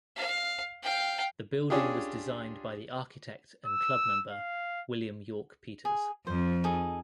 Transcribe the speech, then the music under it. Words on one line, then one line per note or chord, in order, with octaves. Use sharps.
The building was designed by the architect and clubmember William York Peters.
F5
F5 G5
C#4 D4 F4 G4 G#4
E6
F5
G#4
F2 F3 C5
D#4 G#4 A4